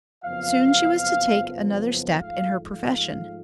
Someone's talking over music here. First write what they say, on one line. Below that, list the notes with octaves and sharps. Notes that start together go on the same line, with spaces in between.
Soon she was to take another step in her profession.
F#1 F2 F3 B3 F5
G#2 F3 A3 F4 F5
F5